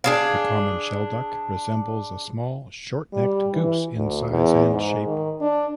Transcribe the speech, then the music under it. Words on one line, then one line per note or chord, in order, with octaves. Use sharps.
The common shelduck resembles a small short-necked goose in size and shape.
D4 G#4 F5
G3
E3
D2
E2
G#2
D#3
D4